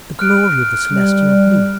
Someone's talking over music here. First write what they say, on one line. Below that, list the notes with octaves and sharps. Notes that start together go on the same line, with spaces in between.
The glory of the celestial blue!
F6 F#6 D7
G3